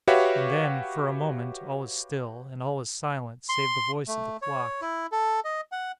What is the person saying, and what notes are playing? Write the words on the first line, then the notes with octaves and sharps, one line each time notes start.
And then, for a moment, all is still, and all is silent save the voice of the clock.
F#4 G4 B4 C#5 E5 F5
C6
A3
C#5
E4
A4
D#5
F#5